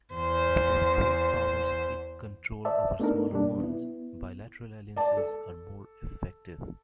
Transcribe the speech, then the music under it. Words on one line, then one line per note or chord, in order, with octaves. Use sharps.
But if great powers seek control over smaller ones, bilateral alliances are more effective.
E2 C5
C5 D5 E5 A5
A3 B3 D4 D#4 A4 A#4
B2 G3 A#3 D4
B3 E4
D5 A5
A4